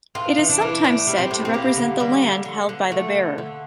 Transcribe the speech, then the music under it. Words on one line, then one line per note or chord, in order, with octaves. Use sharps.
It is sometimes said to represent the land held by the bearer.
A2 F4
E3
D4
E3
A2 D4
G3
C4
A2
C4
G3 A#3
D3
G3
D3
D3
D3
A3
D3
D3